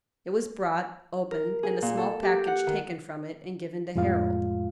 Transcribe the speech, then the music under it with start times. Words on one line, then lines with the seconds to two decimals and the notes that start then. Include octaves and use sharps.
It was brought, opened, and a small package taken from it and given to Harold.
1.31 A#4
1.63 G#4
1.82 A#2
1.97 A4
2.23 G4
2.47 F#5
2.67 D#3
3.95 F2 A2 G#3 F4 F5